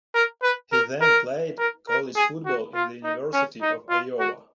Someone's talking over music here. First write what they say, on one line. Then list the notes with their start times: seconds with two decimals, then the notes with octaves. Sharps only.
He then played college football at the University of Iowa.
0.14 A#4
0.43 B4
0.72 A#4
1.01 A#4
1.58 A#4
1.88 A#4
2.16 G#4
2.45 F#4
2.75 F4
3.04 D#4
3.33 C#4
3.62 D#4
3.90 F4
4.19 F#4